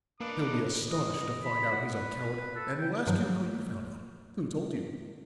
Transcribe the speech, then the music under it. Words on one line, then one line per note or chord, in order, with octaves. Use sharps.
He'll be astonished to find out he's a coward and will ask you how you found out, who told you.
A#3 D4 D#4 B4 D6 D#6
D#5
B5
F#5
B4
A4
G5
G2 D#3 F3 F#3